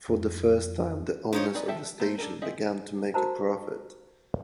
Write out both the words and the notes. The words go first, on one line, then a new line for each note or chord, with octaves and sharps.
For the first time, the owners of the station began to make a profit.
F2
F3 D4 D#4 C#5
C4 D#4 G#4 B4 D5
F3 A4 E5 G5 A5
A3 A#3 C5
D4 A4 A#4
C4 G#4 D#5 E5 F#5
F#4 A#4 C5 A5 A#5